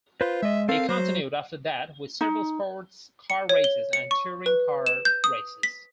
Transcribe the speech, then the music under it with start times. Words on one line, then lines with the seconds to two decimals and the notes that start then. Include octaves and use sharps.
He continued after that with several sports car races and touring car races.
0.21 F4 B4 C5
0.42 G#3 D#5 E5
0.69 C4 A4 A#4 F5
0.89 F#3 C5
2.21 D#4
3.30 C#7
3.49 C#5
3.64 G7
3.93 C#7
4.11 C#6
4.46 B4
4.86 E7
5.05 G6
5.24 D#6
5.63 B6